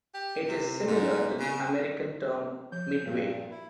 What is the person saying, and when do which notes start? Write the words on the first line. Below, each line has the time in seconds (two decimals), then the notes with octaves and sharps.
It is similar to the American term 'midway'.
0.15 G4
0.47 C3
0.88 G#2
1.40 C#3
2.72 F3 G6
3.05 G2 A#2
3.51 E4